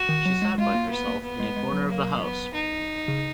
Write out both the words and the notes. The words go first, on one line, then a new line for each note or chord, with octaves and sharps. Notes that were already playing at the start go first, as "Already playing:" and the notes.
She sat by herself in a corner of the house.
Already playing: F#4
D#3
F#3
G#3
G#3 F4
A#3
B3
A#3
B3
G#3
G#3
F#3
A#3
B3
D#4
C#3